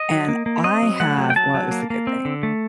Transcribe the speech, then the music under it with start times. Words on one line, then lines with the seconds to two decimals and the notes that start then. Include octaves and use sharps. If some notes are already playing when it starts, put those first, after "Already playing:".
and I have Well, it was a good thing.
Already playing: D#5
0.11 F#3
0.28 A#3
0.46 A#3
0.64 C4 D#5
0.82 F#3
1.00 A3 F#5
1.18 F#3
1.30 G5
1.36 F#3 A5
1.54 F#3
1.71 A#3
1.90 A#3
2.07 C4
2.25 D3
2.43 A3